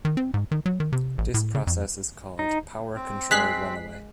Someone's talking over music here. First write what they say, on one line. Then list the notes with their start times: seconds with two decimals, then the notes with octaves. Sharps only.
This process is called "power control runaway".
0.05 D#3
0.17 C4
0.34 G#2
0.51 D#3
0.66 F#3
0.80 D#3
0.92 C3
1.18 A1
1.34 A2
1.55 C#3
1.67 F2
2.39 D#4
2.96 C4
3.31 G#3 F#6 B6 C7